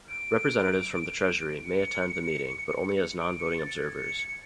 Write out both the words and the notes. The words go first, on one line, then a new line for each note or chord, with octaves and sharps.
Representatives from the Treasury may attend the meeting, but only as non-voting observers.
D7
C#7
D7
C#7
A6
G#6
C#7
C#7